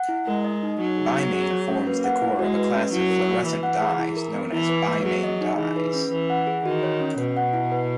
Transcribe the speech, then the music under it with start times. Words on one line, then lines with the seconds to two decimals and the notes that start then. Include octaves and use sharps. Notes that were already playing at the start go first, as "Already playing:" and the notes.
Bimane forms the core of a class of fluorescent dyes known as bimane dyes.
Already playing: F#5
0.09 E4
0.27 G#3 A#4
0.45 D#5
0.63 D#4
0.80 F#3 D#4
0.98 G#4
1.16 B3
1.33 G#4
1.51 C#5
1.69 C#4
1.87 A#3 B4
2.04 F#5
2.22 E4
2.39 G#3 F#4
2.57 B4
2.75 C#4
2.93 F#3 E4
3.10 A#4
3.29 A#3
3.46 E3 B4
3.63 F#5
3.82 G#4
3.99 E4
4.17 A#4
4.35 B3
4.52 E3 E4
4.69 B4
4.88 A#3
5.05 F#3 G#4
5.24 D#5
5.41 D#4
5.58 E3 G#4
5.76 B4
5.94 C#4
6.11 E3 B4
6.30 F#5
6.47 G#4
6.65 D#3 F#4
6.83 C#5
7.00 C#4
7.18 B2 B4
7.37 F#5
7.53 E4
7.72 B4